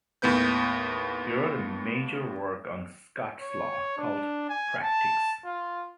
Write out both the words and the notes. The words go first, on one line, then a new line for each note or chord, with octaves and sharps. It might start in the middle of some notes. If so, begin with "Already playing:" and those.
He wrote a major work on Scots law, called "Practicks".
D#2 A2 B3 B4 G6
C#5
D4
G#5
A5
F4